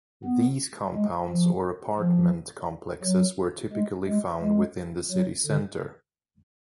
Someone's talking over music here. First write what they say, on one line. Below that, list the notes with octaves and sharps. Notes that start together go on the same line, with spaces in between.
These compounds or apartment complexes were typically found within the city center.
B3
G#3
F3
F3
F#3
G#3
G#3
G#3
F#3
D3